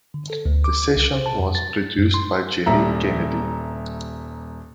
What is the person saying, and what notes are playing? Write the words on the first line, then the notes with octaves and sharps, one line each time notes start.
The session was produced by Jerry Kennedy.
D3
A4
D2
D6
C2
C5
A5
F2
A6
F#2
C6
D#1 G3 E5 A#5